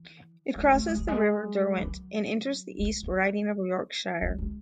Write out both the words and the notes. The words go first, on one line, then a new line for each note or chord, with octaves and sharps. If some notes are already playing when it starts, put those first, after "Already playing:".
It crosses the River Derwent and enters the East Riding of Yorkshire.
Already playing: E3
G#3
A3
G#3
F#3
G#3
E3
F#3
G#3
B3
G#3
G#3